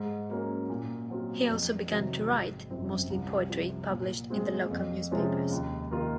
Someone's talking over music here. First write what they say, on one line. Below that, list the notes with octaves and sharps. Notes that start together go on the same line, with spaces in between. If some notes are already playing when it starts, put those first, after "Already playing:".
He also began to write, mostly poetry published in the local newspapers.
Already playing: G#2
F#3 A#3 C#4
A#2
F#3 C4 F4
F2
C3 D#3 F#3 C4
G#1
F#2 F3 C4
C2
C3 F3
A#2
G#3 C4 F4
F2
C3 F3 G#3 C#4
D#2
D#3 A#3 F4